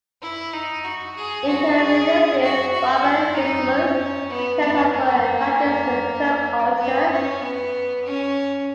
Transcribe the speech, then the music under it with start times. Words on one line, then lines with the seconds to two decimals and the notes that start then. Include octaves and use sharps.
In her radio plays, Barbara Frischmuth tells of her encounters with Turk culture.
0.22 E4
0.53 D#4
0.85 F#4
1.16 G#4
1.48 F#4
1.78 G#4
2.42 F#4
2.73 F#4
3.04 E4
3.35 D#4
3.66 C#4
4.29 B3
4.60 B3
4.93 A#3
6.80 B3
7.12 C#4
7.42 B3
8.05 C#4